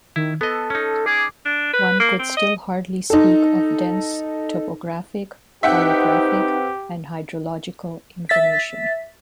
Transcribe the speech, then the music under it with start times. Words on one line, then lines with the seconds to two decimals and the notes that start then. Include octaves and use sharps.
One could still hardly speak of dense topographic, orographic and hydrological information.
0.16 D#3 E4
0.41 B3 A4 D#5
0.70 C#4 D#4
1.06 G#4 D6
1.45 D4
1.73 B4
2.00 A#3
2.19 C4
2.37 D#5
3.10 D#4 A4
5.63 C4 D#4 G4 B4 E5 F#5 G5
8.29 E5 A6 B6